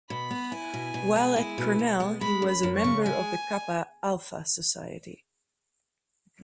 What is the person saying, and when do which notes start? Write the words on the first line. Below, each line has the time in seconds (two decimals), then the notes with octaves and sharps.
While at Cornell he was a member of The Kappa Alpha Society.
0.10 B2 B5
0.31 B3
0.52 E4 G#5
0.74 B2
0.94 B2
1.16 G#3
1.36 E4
1.58 B2
1.79 B2
2.00 G#3
2.21 G#3 B5
2.42 F#2
2.49 B5
2.63 F#2
2.77 C#6
2.84 C#3
3.05 G#3 G#5